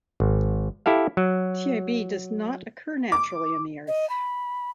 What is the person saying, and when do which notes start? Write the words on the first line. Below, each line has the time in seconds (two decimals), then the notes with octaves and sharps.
TiB does not occur naturally in the earth.
0.20 G#1
0.86 E4 G4 A4 F5
1.17 F#3
3.12 D6
3.88 D#5
4.10 B5